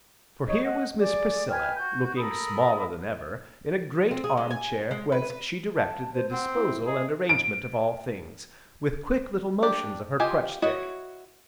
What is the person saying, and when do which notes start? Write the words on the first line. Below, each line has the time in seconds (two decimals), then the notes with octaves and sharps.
For here was Miss Priscilla, looking smaller than ever, in a great arm chair whence she directed the disposal and arrangement of all things, with quick little motions of her crutch-stick.
0.44 D#4 C#5 D#6
0.62 D#5 F#5
0.98 G#4 D5
1.49 B4 G5 G#5 F6
1.75 F#4 G6
2.16 A4 A#4 B5 D#6
4.11 C4
4.24 G#4
4.37 G#3
4.51 G#5
4.91 G#3
5.12 B4
5.30 B4
5.76 A5
6.14 C5
6.32 C4 F#5
6.55 E4
6.87 G#4 D#5
7.29 D7
9.63 D4 G4 D5
10.20 F4 G4 C5 D#5 G#5
10.62 E4 F#4 C#5 D#5